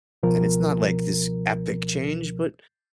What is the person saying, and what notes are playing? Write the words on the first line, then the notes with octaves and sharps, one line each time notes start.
and it's not like this epic change, but
C#2 B2 F3 A#4